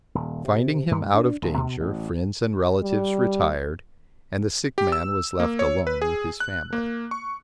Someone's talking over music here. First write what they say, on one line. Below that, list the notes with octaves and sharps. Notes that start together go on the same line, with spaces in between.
Finding him out of danger, friends and relatives retired, and the sick man was left alone with his family.
D#1
C3
G2
D4
D#1
B2
A1
G3
G4
E6
A#3
C#5
B4
G#4
F#6
A#3
C#6